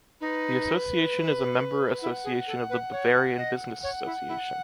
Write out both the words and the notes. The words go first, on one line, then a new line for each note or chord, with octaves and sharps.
The association is a member association of the Bavarian Business Association.
D#4 B4
E4 F#5
G#4
A4
B4
C#5
D#5
C#5 F#5
E4
E4